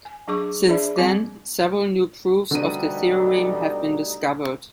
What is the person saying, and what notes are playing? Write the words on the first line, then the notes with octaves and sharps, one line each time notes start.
Since then, several new proofs of the theorem have been discovered.
G#5
F#3 D4 G#4 C#6 D6
D4 G#4 C5 D5 E5 B5
F#3 G3 C4
D2 B2 D3 G3 D#4 D#7